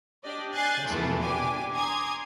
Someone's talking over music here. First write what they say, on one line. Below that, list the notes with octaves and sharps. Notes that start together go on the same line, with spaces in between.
Casimir Church.
D4 G4 D5 D#5
G#5 F#6 G6 A6 C7
E2 A#2 E3 F3 G#3 A3
D4 G4 G#5 D6
G#5 A#5 C6 D6 D#6 G#6